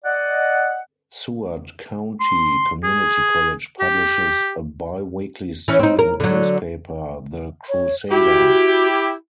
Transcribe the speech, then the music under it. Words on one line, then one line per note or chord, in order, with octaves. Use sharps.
Seward County Community College publishes a bi-weekly student newspaper, the "Crusader".
D5 D#5 F#5
C6
G#4
G4
E3 C#4
C4 D#4
A#4
D3 F#3
C#5
E4 F#4 G4